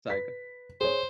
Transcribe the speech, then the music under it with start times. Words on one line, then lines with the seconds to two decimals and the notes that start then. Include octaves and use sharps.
Sorry, go ah
0.10 B4 B6
0.81 G#4 C5 C#5